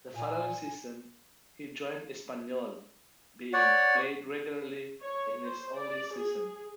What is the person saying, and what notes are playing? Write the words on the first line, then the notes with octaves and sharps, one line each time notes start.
The following season, he joined Espanyol, being played regularly in his only season.
A#2 G#5
C#5 D5 F#5
C#5
C5
D5
G#4